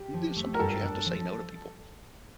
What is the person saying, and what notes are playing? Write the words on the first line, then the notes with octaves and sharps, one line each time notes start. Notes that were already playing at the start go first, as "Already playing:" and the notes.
and do sometimes you have to say no to people
Already playing: G4
F3
A3
A#4
G2 A4
D4
F3